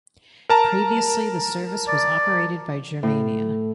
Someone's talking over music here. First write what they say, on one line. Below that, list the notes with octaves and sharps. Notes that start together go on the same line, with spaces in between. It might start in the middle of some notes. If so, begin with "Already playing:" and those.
Previously the service was operated by Germania.
A#4 A5 A#5
D5
A2